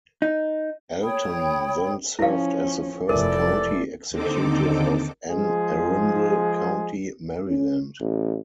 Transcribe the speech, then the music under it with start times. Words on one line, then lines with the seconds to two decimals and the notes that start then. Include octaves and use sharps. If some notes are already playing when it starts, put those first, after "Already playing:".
Alton then served as the first County Executive of Anne Arundel County, Maryland.
0.22 D#4
1.02 C#5 G5 B5 D#6
2.19 F3 C#4 E4 F5
3.09 F1 E3 A4 A#4 D5
4.10 D#2 D3 C4 D#4 A4 D6
5.31 F3 G#3 G#4
7.47 C#4
8.00 A1